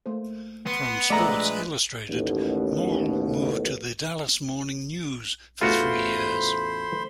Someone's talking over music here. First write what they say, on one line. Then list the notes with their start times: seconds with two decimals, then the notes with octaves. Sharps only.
From "Sports Illustrated", Maule moved to "The Dallas Morning News" for three years.
0.06 A3 A#3 C5
0.67 B3 C6
1.10 A#1 G#3 A3 B4 D5 E5 A#5
2.10 A1 D#2 B2
5.61 A1 E2 A3 F4 F#4 C5 B5 C6